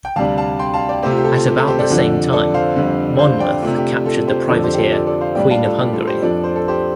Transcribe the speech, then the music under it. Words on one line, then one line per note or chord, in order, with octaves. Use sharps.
At about the same time "Monmouth" captured the privateer "Queen of Hungary".
G5
D2 C3 G3 D4 F5 A5
F5 A5
G5 C6
F5 A5
D5 G5
C3 A3 C4 G4 C5
F4
G4
F4 A4
F4
G4
F4 A4
G4 C5
A4 D5
F2 D3 F3
A4 D5
C5 F5
F2 D3 G3
C5 F5
D5 G5
C3 A3 D4 F4
G4
F4
F4 A4
G4 C5
F2 D3 F3 A4 D5
G4 C5
G4
F4 A4
A4 D5
A4 D5
C5 F5
A2 G3 D4 D5 G5
F5 A5
F4 A4
G4
F4 A4
G4 C5
F2 F3 D4 A4 D5
C5
A4
G4 C5